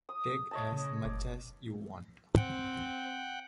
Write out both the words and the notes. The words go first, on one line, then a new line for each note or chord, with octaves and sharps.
Take as much as you want.
D#6
C#5 D#5 A5
C#3
F#1 D6
C4 F#5 G5